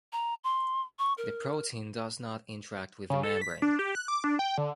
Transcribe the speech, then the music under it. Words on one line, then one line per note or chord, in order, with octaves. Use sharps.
The protein does not interact with the membrane.
A#5
C6
C#6
A#4
C#3
A4
B6
D4
G4
F#6
D6
D4
G5
D3